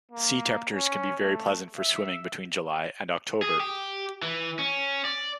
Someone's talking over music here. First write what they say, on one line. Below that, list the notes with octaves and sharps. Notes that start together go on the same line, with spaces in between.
Sea temperatures can be very pleasant for swimming between July and October.
A#3
C#4
A3
E5
G#4
G4
E3
C#4
D5